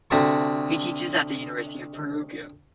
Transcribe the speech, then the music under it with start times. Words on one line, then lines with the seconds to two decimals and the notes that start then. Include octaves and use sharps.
He teaches at the University of Perugia.
0.11 D2 C3 F#4 A4 C#6